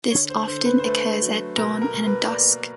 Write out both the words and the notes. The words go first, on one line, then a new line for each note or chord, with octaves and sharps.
This often occurs at dawn and dusk.
D3 C#5
C5
D3 C5
B4
C5
A3 B4
F#3
B2 A#4
A#4
B2
B4
A#3 D5